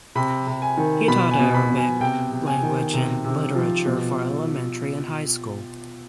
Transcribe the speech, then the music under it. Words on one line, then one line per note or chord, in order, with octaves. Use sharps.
He taught Arabic language and literature for elementary and high school.
C3 B5
C3
G#5
D#3
B2 B5
G#5
B2
B5
B2
G#5
C3 G5
C3
G#5
D#3
C3
C3
F3
B2